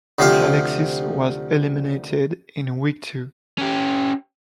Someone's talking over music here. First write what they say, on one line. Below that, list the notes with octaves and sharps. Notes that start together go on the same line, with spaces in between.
Alexis was eliminated in week two.
D2 C3 F3 G4 C5 F5
C#4 G4